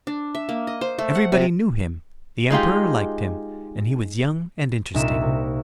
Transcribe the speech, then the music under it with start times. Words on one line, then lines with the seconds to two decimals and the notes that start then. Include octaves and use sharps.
Everybody knew him, the Emperor liked him, and he was young and interesting.
0.07 D4
0.35 E5
0.49 A#3
0.67 D#5
0.81 C5
0.99 A3
1.15 F#5
1.32 C3
2.50 G#3 D#4 F4 G4
4.94 C2 A#2 D#4 E5 D7 E7
5.22 C3